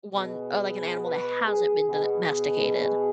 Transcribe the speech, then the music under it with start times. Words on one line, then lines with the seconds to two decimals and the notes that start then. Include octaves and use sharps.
one or like an animal that hasn't been do domesticated.
0.13 B2 G#4
1.01 B4
1.44 G#4
1.88 B2 G#4
2.77 G#4